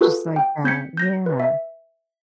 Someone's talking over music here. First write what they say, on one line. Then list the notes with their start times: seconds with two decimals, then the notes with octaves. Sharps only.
Just like that, yeah.
0.01 F4 F#4 G#4 A4 B4
0.36 G5
0.64 C4 G6 G#6 B6 C#7
0.97 G6 A#6
1.26 B4
1.40 E5